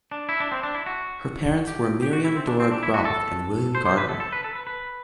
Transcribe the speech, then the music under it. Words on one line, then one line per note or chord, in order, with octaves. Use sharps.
Her parents were Miriam Dora Groth and William Gardner.
D4
E4
D4
C4
D4
E4
F#4
G4
G4
F#4
E4
C4
D4
C4
D4
E4
F#4
A4
C5
C5
B4
A4
A4
B4
A4
B4
B4